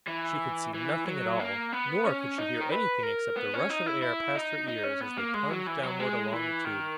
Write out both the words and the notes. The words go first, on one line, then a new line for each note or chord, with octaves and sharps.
She could see nothing at all, nor could she hear anything except the rush of air past her ears as they plunged downward along the Tube.
E3
E3
F#3
A#3
B3
C#4
D#4
A#4
B4
A#4
B3
C#4
D#4
E4
E4
D#4
D#4
C#4
B3
A#3
G#3
F#3
E3
F#3
G#3
E3
D#3